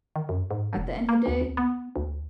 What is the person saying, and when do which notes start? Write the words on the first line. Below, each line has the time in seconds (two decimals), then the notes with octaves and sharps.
at the end of the day,
0.16 D#3
0.29 F#2
0.51 G#2
0.75 E1
1.09 A#3
1.26 D2
1.41 D2
1.57 B3
1.96 D2